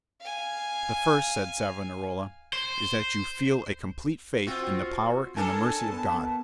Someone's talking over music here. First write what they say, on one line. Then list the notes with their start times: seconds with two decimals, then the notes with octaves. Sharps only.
"The first," said Savonarola, "is that you feel a complete faith in the power and the mercy of God."
0.21 F5 G#5
2.53 C5
4.47 C4 F4 F#4
5.37 D4 A4 A#4 G#5 A5
5.92 B3